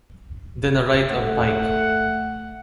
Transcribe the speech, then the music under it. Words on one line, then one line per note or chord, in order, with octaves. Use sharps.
Then a right on Pike.
A3 F#5